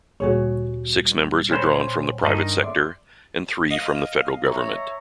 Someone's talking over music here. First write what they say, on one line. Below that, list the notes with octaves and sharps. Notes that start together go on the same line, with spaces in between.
Six members are drawn from the private sector and three from the federal government.
D2 A#2 G3 F#4 G#4 C#5
C4 C#4 B4 C5
G2 D#3 D4 D#4 A5
D5 E5 C6
D#5 F5
C#5 E5 A#5